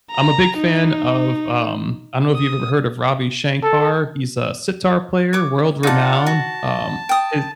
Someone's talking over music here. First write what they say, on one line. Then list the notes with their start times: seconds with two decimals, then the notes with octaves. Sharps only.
I'm a big fan of, um I don't know if you've ever heard of Ravi Shankar. He's a sitar player, world-renowned, um, his
0.12 A#5
0.58 D#4
2.35 D#6
3.63 A4
5.33 C#5 D6
5.83 D#4 F4 D5 F#5 A5
6.27 F#4 A5
7.09 G5 D#6